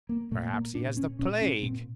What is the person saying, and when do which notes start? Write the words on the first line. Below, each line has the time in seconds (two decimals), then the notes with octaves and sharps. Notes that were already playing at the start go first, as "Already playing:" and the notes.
Perhaps he has the plague.
0.09 A#3
0.31 A#2 A3
0.53 A#3
0.75 A#2 D4
0.97 C#4
1.19 A#2 C#4
1.41 C#4
1.63 A#2 C4